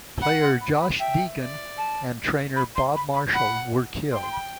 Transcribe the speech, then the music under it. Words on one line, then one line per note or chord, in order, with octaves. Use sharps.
Player Josh Deegan and trainer Bob Marshall were killed.
F#5 B5
C6
B5
A5
B5
E5 G5
D5
A5
B5
C6
B5
B5
F#5 B5
G5 C6
C6
B5